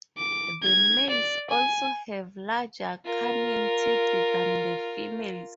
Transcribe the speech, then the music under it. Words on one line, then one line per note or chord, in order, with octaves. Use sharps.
The males also have larger canine teeth than the females.
D6
G#6
D5
G#5
F4 A#4